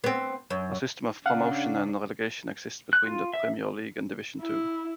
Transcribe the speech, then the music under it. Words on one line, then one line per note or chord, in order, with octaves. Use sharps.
A system of promotion and relegation exists between the Premier League and Division Two.
B3 C4
F#2
C#3 D4 F5 F#5
F#6
F4
E5
E4